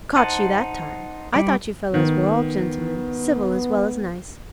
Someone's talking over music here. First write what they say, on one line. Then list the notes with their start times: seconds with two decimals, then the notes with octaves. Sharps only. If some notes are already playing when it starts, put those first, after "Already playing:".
'Caught you that time; I thought you fellows were all gentlemen, civil as well as nice.
0.16 D#4 C5 D#5 F#5 A5
1.34 G3 D5
1.94 D#3 B3